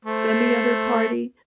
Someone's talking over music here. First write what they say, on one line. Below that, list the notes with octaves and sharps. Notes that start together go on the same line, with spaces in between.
than the other party,
A3 C5